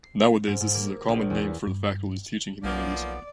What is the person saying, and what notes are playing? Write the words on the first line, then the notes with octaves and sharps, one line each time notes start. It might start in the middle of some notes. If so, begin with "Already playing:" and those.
Nowadays this is a common name for the faculties teaching humanities.
C7
G#2
G#2
A#3
A#1
E2
G2
B1 F3 A#3 B3 D5